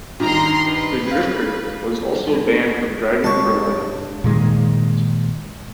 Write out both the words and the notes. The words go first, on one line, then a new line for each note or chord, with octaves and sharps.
The drifter was also banned from driving for life.
G2 D#3 A#5 C6
B4
F5
G2 G#3 C#5 A5 C#6
A#2 D#3 G#3